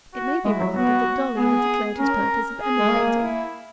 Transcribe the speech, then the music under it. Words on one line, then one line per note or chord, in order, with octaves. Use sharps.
It may be remembered that Dolly had declared his purpose of emigrating.
F#4
G#3 E4
F#3
B3 F#4
B3 G#4
C#4 A#4
G#4
G#3
A#3
E4